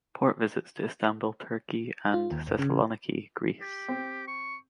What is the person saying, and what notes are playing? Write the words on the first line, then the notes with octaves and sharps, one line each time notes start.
Port visits to Istanbul, Turkey and Thessaloniki, Greece.
F4
D#2
G1
C#3
G4
C4
C#6